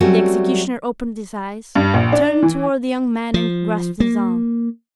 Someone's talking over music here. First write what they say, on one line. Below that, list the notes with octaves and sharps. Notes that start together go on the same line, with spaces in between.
The executioner opened his eyes, turned toward the young man and grasped his arm.
F#3 G3 A3 C4 C#4 F#4
G2
A#1
D4
E3
F3
A#3